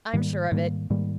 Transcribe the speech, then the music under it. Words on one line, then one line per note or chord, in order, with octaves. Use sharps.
I'm sure of it.
G#2 D#3 G3 A#3
G#2 D#3 G3 A#3
G#2 D#3 G3 A#3